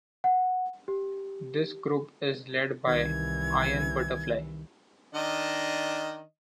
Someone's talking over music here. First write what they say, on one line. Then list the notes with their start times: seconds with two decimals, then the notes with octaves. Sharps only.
This group is led by Iron Butterfly.
0.24 F#5
0.88 G4
2.87 C2 D#3 E3 G#6
5.15 D#3 D4 D#5